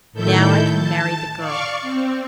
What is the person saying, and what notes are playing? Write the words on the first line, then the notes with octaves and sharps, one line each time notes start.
"Now I can marry the girl."
A2 D#3 E4 A4 G6
A5
D5 F5 C#6
C4